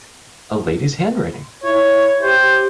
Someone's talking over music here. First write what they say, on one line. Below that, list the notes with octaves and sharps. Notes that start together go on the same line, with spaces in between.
A lady’s handwriting!
E4 C#5
G4 C5